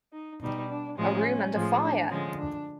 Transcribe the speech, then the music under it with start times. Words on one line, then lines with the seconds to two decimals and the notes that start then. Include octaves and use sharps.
A room and a fire!
0.13 D#4
0.41 B2 G3 D#4
0.69 D4
0.97 A2 F3 G#3 C#4
1.54 A2 F3 G#3
1.82 D4
2.10 D3 F3 G#3 C#4
2.38 D4